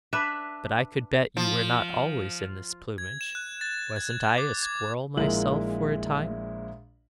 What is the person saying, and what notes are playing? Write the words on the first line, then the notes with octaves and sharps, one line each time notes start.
But I could bet you were not always in this plumage--wasn't I a squirrel myself for a time?'
D4 B4 E5
F3
G#6
E7
F#6
A6
G#6
D6
G#6
A#1 A#2 G#3 E4 A#4 F#7